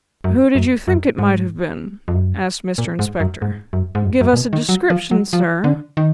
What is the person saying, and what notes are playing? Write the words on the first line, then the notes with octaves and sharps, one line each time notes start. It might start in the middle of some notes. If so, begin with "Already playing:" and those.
'Who did you think it might have been?' asked Mr Inspector. 'Give us a description, sir.
F#2
F#2
F#2
G#2
F2
F#2
A#2
G#2
F#2
G#2
F#2
G#2
F#2
F#2
A#2
B2
D#3
F#3
F3
F#3
F3
D3
D#3